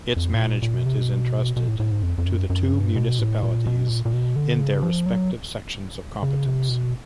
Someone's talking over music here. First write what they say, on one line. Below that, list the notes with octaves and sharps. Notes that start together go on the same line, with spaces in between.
Its management is entrusted to the two municipalities in their respective sections of competence.
F2
A2
A#2
A#2
B2
C3
B2
B2
A2
A2
G#2
F2
F2
F#2
F#2
G2
B2
A2
A#2
B2
A#2
A#2
B2
D3
C#3
F3
F#3
C#3
C3
B2